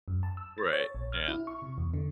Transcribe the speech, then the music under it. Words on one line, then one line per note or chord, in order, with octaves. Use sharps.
Right, yeah.
F#2
A5
E6
A6
C#5
A#1
F6
E4
C#6
C3
E2
D3